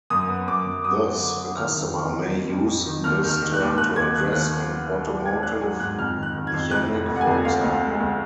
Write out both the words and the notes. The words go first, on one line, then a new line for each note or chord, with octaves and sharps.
Thus, a customer may use this term to address an automotive mechanic, for example.
F#2 D#6
B3
F#2 D6
F#2
F#3 D#6
B3
D3
B3
D#3 F6
F2
D#3
F2
A#3
F2
F2
D#3
D#2 F6
D#3
F6
D#3
F#6
D#2
D#2 F#6
D#2 G#6
D#3 F#6
D#2 F#6
B3
B3
B3
D4
D4 G#6
D4 F#6
F#3 G#5
G#2 F#6
F2 F6
D#3
F#6
D#3
G#6
F2
F2 F#6
F1
F1
F#5
G#5
F2
D2 F5
D2
G#3
D2